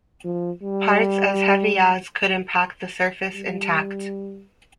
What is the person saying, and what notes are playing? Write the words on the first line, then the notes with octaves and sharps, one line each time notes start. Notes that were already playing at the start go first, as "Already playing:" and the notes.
Parts as heavy as could impact the surface intact.
F3
G3
G3